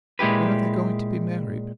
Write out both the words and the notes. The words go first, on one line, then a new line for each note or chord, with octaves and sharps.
When are they going to be married?'
A#2 G#3 E4 G4 B4